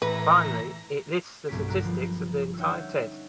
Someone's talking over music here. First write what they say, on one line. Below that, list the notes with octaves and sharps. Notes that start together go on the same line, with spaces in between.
Finally, it lists the statistics of the entire test.
A2 E3 B4 A#5
B1 G2 A#3 C#4 B6 D7
G1 A#5 F#6 D7
F3 B4
C#4 D#4 C#5 E5 F#5 G5